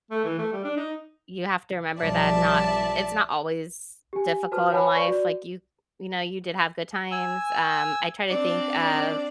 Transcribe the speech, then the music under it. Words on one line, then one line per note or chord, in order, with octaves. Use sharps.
you have to remember that not it's not always difficult in life. Like, you you know, you did have good times. Um, I try to think of
A3
E3
A3
G3
D4
D#4
B1 F3 G3 D5 E5 A5
G4 G#5
F#4 B4 C5 A5 F6
B4 C#5 F#5 G#5 A5 B5
B4 D5 C#6
F#4 D5
G#5 E6
C4 D4 D5